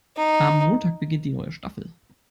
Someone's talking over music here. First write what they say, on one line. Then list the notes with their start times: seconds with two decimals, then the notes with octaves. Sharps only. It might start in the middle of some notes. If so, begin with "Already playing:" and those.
Am Montag beginnt die neue Staffel.
0.17 D#4